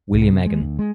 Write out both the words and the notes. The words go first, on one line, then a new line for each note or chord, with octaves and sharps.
William Egan.
C2
C3
G#3
D2
G#3